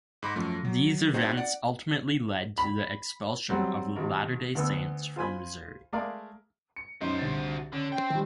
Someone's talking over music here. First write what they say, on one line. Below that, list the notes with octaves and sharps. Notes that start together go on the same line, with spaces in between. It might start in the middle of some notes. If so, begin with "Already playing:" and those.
These events ultimately led to the expulsion of the Latter Day Saints from Missouri.
G#2 B5 D6 A#6
F#2 F3 A3
F#3
C4 D#4 F#4 G#4 C5
D5 F#5
B5
F#3 G3 C4 F#4
G#1 C3
D2 B3 E6
F4 C5 G#5 B5
G#3 A3 G#4 A#4 D5 F5
C#7
F#2 D#4 F#4 C5
C2 D3 A6
D3 C#4
C4 G5
D#3 G3